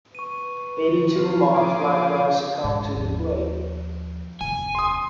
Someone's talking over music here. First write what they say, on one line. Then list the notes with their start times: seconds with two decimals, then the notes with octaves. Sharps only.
Eighty-two monks likewise succombed to the plague.
0.15 B4 C#6 D#7
1.15 C3 D#3 E3 F4
1.54 A#2 D#3 F3 G#4 D6
2.64 G#2
2.95 D#2 F3
4.41 F1 D#2 G#5
4.75 C6 D#6